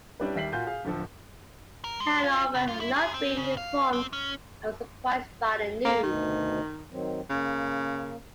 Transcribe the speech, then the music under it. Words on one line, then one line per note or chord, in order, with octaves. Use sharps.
Hanover had not been informed and was surprised by the news.
G3 C#4 D4 E4 G4 B4
D#2 G3 E5 B6 C7 F#7
A#2 F4 F#4 G#5 G6
G#4 F5
D1 D3 F3 A4
A#4
G#3
F4
C#3
F4
E4
G#4
C4
C#3
F5
C4
C#4
A#3 A4
D2 B2 D#3
D#3 F#3 C4
C#3 A#3